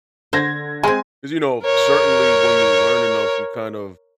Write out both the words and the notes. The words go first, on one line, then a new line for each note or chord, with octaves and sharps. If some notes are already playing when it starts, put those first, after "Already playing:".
'cause, you know, certainly when you learn enough you kind of
D3 C5 G#6 A#6
G#3 C4 G#5
A#4 C#5